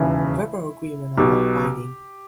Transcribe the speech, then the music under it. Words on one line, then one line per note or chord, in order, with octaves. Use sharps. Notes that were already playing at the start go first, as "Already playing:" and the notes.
Verbal agreements are not binding.
Already playing: E1 D#2 C#3 E3 E4
B1 B2 G4